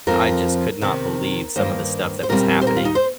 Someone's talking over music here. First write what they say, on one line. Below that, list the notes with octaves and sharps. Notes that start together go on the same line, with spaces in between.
I just could not believe some of the stuff that was happening,
F2 F3 C4 A#4
C3 D#3 C4
G2 D#3 A#3 C5
C5
A#2 G3 C4 A#4
C5
A#4
F4
D#4
C5